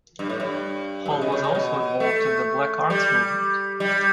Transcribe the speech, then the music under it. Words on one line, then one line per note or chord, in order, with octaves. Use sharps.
Hall was also involved in the Black Arts Movement.
G2
A2
G2
G2
A2
B2
C#3
C#3
B2
A3
G3
G3